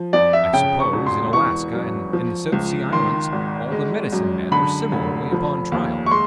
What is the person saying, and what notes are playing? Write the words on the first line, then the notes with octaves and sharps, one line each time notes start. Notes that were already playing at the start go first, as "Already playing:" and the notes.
I suppose, in Alaska and in the South Sea Islands, all the medicine men were similarly upon trial.
Already playing: F3
F2 D5
E5
C#3 G5
C#6
E1
C6
E3 C#6
F#2
F3
C#2
D#3 C6
G#1
G#3
F#2
D3 B5
F1
F3
D#2
C#6
G#3 C6